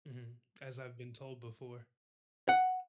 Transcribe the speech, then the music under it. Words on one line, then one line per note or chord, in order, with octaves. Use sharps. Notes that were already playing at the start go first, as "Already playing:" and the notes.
Mhm. As I've been told before.
F#5